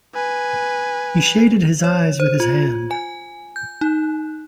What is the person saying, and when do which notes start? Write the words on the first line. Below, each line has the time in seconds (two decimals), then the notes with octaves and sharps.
He shaded his eyes with his hand.
0.14 B4 G#5
1.84 C#5
2.20 C5
2.40 F4
2.91 G#5
3.56 G6
3.81 D#4